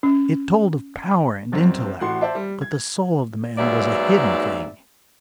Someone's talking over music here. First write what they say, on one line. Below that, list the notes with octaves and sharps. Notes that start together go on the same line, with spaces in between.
It told of power and intellect, but the soul of the man was a hidden thing.
C#4
G1 F#2 C4
A1 A2 F#4 F#5 C6
C5 D5 E5 A5
G3
G#6
D#2 G#2 F#3 B3 D5 E5